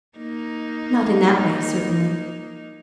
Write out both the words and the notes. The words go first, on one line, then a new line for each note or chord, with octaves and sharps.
"Not in that way, certainly."
A#3 D#4